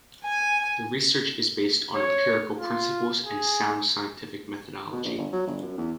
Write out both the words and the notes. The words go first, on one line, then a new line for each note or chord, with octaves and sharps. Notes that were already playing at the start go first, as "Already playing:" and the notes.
The research is based on empirical principles and sound scientific methodology.
G#5
C#5
F4
G#4
B2
A#1
G1
F#3
G1
F#2
E2